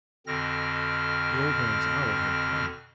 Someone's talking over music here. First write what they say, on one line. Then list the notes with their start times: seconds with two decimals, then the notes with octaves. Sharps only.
The old man's hour had come!
0.27 F2 B2 D3 C4 F6 A#6